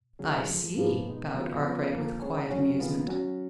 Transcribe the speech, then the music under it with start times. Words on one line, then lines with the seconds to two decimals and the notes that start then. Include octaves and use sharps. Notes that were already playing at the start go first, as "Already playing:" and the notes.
"I see," bowed Arkwright with quiet amusement.
0.19 C#3 F#3 C#4 G#4
0.48 F2 F3 G#3
0.77 G#2 F3 A#3 F4 B4
1.06 B2 G#3 B3 D#4
1.34 D#3 F#3 B3 F4
1.64 C#3 F3 B3 F4
1.93 F2 F3 A#3
2.22 G#3 C#4 G#4 C#5
2.50 F#2 C#3 F#3 C#4 F#4
2.79 D#3 G#3 B3 F4
3.08 F#3 C#4 F#4